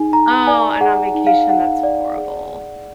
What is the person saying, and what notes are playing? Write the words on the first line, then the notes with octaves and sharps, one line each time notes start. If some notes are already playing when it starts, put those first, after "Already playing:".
Oh, and on vacation, that's horrible.
Already playing: D#4 G#4 G#5
D#4 A#5
D5 G#5
G#4 F#5
D#4
F5
D#4 F#5
D5
G#4